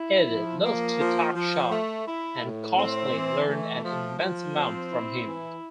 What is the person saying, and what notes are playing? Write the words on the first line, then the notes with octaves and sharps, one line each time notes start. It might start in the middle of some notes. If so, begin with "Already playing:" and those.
Ed loved to "talk shop" and Kosslyn learned an immense amount from him.
Already playing: E4
F3
A#3
F3
F3
A3
E4
A2
C4
E3
A3
F3
F3
C4
E4
E3